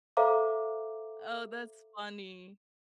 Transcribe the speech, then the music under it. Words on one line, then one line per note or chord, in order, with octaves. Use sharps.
Oh, that's funny.
A4 C5 E5 F5 A#5 D6